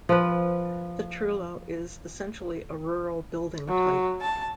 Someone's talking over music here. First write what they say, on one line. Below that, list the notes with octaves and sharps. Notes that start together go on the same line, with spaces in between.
The trullo is essentially a rural building type.
F3 B4
F#3
A5